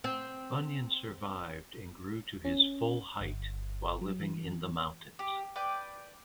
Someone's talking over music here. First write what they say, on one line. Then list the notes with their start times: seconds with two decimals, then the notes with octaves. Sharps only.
Bunyan survived and grew to his full height while living in the mountains.
0.04 C4
2.45 C#4
3.20 G1
4.01 F#3
4.20 E3
5.19 G4
5.56 B4 D5 G5